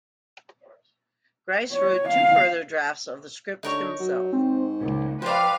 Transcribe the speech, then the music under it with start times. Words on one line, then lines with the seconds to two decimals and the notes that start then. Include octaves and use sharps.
Gries wrote two further drafts of the script himself.
1.72 C#5
2.08 F5
3.63 D3 D#4 A#4 C#5
3.99 F#3
4.32 G#2 C4
4.81 C#2 A#2
5.22 F3 B4 C5 D5 F5 G5